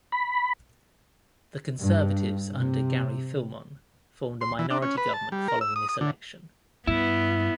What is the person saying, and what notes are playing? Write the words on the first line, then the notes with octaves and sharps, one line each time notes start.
The Conservatives under Gary Filmon formed a minority government following this election.
B5
G2
C3
C6
E3
D4
C#4
B4
A5
G3
A#4
E6
D#6
D#6
D3
G2 B3 E4